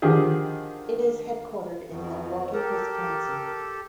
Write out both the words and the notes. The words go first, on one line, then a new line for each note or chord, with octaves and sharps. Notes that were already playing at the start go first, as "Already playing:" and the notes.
It is headquartered in Milwaukee, Wisconsin.
D3 D#3 F3 G4 G#4
F2 B2 D#3
G4 A4 A#4